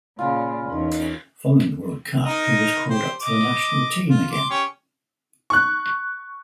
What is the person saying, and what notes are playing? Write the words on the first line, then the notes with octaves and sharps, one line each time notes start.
Following the World Cup, he was called up for the national team again.
A#2 C#3 F4 D5 G#5 B5
E2 C#4 D#4 A#4 D#5
D#4 A#4 D#5
G4 C5
D#5 D6
F4
C6 D6
C#4 G4 C#5
C#6 F#6